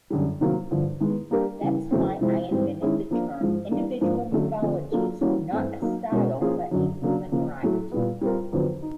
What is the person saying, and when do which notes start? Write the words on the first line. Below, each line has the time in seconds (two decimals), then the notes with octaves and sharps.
That's why I invented the term, 'individual mythologies'-not a style, but a human right.
0.10 F#2 D3 G3
0.41 C3 D#3 F#3 A#3
0.71 G2 D3 F3
1.00 D#3 G#3 B3
1.31 G3 A#3 D4 G4 A#4
1.61 C#3 E3 G3
1.91 E2 C#3 F#3 A3 C4
2.21 C3 F3 G#3 C4 E4
2.51 G#2 E3 G3 C4
2.81 D#3 G#3 C#4 E4 G#4
3.11 F3 A#3 D4
3.41 G#2 F3 G#3
3.71 E3 G3 A#3 D4
4.01 G#2 F3 A#3 D4 F4
4.31 D3 F#3 A3 C#4
4.62 D3 F3 A3 C4
4.92 F#3 A#3 D4 F4 A4
5.21 E3 G3 A#3 C#4 F#4
5.51 G2 E3 A3 C4 E4
5.81 F#3 A#3 D#4
6.12 B2 G#3 C#4 F#4 A#4
6.41 F3 A#3 C#4 F4 G#4
6.71 F#2 D3 F#3
7.02 C#3 F#3 A#3 D4
7.32 C#3 F3 A#3
7.62 A2 F#3 A3
7.92 A#2 G3 B3
8.21 G3 C4 F4 A#4
8.52 F2 D3 F#3 B3
8.82 D#4